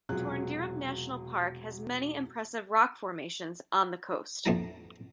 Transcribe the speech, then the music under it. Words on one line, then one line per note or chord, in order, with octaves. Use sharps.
Torndirrup National Park has many impressive rock formations on the coast.
E1 C3 F#3 F4 G#4 F#6
A#1 F2 A2 D4 E4 A#5